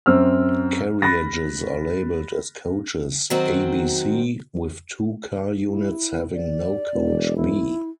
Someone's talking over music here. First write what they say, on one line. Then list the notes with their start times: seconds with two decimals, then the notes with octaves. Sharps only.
Carriages are labelled as coaches A-B-C, with two-car units having no coach B.
0.06 F#2 C4 E6 F6
1.02 B5 F#6 A6 A#6
3.30 D#3 F#3 C4 F#4
5.68 E4
6.34 D5
6.94 E1
7.37 E4